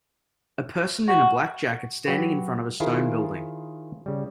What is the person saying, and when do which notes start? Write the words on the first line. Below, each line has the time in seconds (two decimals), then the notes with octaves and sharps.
A person in a black jacket standing in front of a stone building.
1.09 F#4
2.06 F#3 F#4 G4 B4 C#5
2.80 D#3 E4 F4 G#4 A#4 C5
4.06 C#3 G3